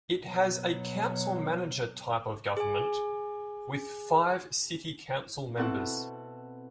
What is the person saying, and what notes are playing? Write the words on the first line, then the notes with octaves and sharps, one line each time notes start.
It has a council manager type of government with five city council members.
B2 F#3
G#4 G#5
B2 C4 E4 A4 F#5 A5